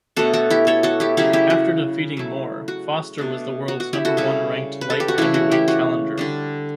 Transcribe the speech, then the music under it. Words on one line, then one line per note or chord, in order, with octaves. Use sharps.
After defeating Moore, Foster was the world's number one ranked Light Heavyweight challenger.
B2 A3 D4 F#4 A4
F#4 A4
E4 G4
A4 C#5
F#4 A4
E4 G4
C#3 F#3 C#4 E4 G4
E4 G4
F#4
F#3 A3 E4
F#4
B2 A3 D4
F#4
F#4
E4 G4
F#4 A4
C#3 G3 C#4 E4 F#4
B4
A4
G4
F#4
C#3 E3 A3 E4
F#4
E4 G4
F#4
D3 G3 D4